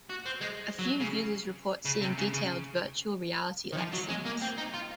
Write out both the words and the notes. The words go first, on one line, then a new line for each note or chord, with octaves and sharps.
A few users report seeing detailed, virtual reality like scenes.
F#4
C4
G#3
F#3
C#3
C#3
C3
C#3
C#3
D#3
F3
F#3
G#3
A#3
C4
D#4
F4